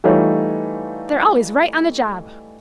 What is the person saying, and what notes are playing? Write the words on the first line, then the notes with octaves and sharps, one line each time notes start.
They're always right on the job.
E3 G3 A3 D#4 F4 C#5